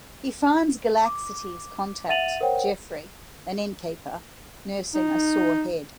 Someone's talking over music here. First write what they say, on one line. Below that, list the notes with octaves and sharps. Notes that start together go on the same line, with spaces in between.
He finds Galaxity's contact, Geoffrey, an innkeeper, nursing a sore head.
D6
E5 F#5 A6 D#7 F7 F#7
A#4 C5 C#5 F#5 G5
D#4